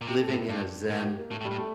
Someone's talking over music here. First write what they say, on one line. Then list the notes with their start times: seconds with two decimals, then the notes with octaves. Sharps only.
living in a Zen
0.01 A#2
0.07 C3 G4
0.20 A4
0.28 A2
0.34 E4
0.49 G2 D4
0.84 C5
0.90 A2 A#4
1.03 G4
1.17 A#3
1.30 A2 A3
1.41 A2
1.44 G3
1.51 A2
1.58 A3